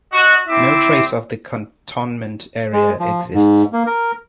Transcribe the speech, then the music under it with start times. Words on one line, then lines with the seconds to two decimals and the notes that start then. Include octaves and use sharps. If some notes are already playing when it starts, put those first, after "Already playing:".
No trace of the cantonment area exists.
0.12 F#4 D#5
0.48 C4 E4 E5 D6
2.73 G#3
3.00 F3
3.34 G#2
3.73 A#3
3.86 A#4